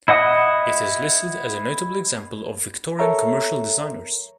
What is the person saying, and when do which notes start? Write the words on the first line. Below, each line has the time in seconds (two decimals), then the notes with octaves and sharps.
It is listed as a notable example of Victorian commercial designers.
0.08 E4 D#5 F#5 D#6
2.99 A4 A#4 C#5 E5 A#5